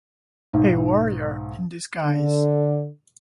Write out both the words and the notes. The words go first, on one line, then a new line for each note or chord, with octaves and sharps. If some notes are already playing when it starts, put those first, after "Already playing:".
A warrior in disguise.
B1 G#2
D3